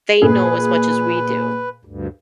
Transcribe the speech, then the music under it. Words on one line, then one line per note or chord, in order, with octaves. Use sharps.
they know as much as we do
A#2 G#4 B4
D2 G2